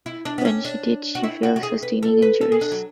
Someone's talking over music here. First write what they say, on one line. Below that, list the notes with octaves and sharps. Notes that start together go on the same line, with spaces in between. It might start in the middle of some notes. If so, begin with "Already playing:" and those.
When she did, she fell, sustaining injuries.
E4
D4
B3
C#4
D4
F#4
E4
F#4
F#4
G#4
B4
A4
B4
A4
G#4
D4
F#3